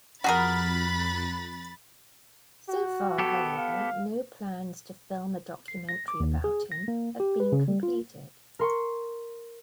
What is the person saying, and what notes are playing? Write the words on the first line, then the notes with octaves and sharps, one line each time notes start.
So far, however, no plans to film a documentary about him have been completed.
F2 F#4 G#4 A#4 B5 F#6 A6
F#4
B3 G4 A4
F5
C7
A#6
D6
D#2
G#4
A#6
A#3
G4
B4
C#3
G3
F4
A#4 C6 C#6